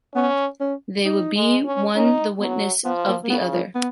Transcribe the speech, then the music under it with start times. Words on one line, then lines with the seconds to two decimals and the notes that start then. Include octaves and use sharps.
They would be one the witness of the other.
0.15 B3 C#4
0.60 C#4
1.05 D#4
1.36 G#3
1.65 C#4
1.95 C#4 D#4
2.40 F#3 B3
2.85 F3 B3
3.08 A#3
3.24 A#3
3.30 C#3 B3
3.52 F3
3.75 B3